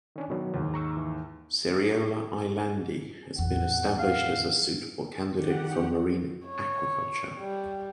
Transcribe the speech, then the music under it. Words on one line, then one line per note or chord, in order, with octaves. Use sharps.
"Seriola lalandi" has been established as a suitable candidate for marine aquaculture.
D#3 C#4 D4
B2 D#3 F#3
D#2 G#2
A#5 C#6 E6
E3
A1 E2 F#5
F5
D#3 G4 F#5
C#5
G3